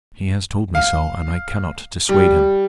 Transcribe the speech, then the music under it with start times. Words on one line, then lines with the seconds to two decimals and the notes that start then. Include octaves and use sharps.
He has told me so, and I cannot dissuade him.
0.75 F5
2.09 G3